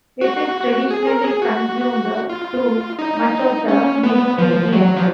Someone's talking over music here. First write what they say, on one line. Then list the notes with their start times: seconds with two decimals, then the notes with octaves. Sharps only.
It is traditionally consumed through much of the Mediterranean.
0.21 F#4
0.91 G#4
1.07 A#4
1.25 G#4
1.42 F#4
2.30 F4
2.99 D#4
3.68 C#4
4.03 B3
4.38 F3
4.73 F#3
4.97 F3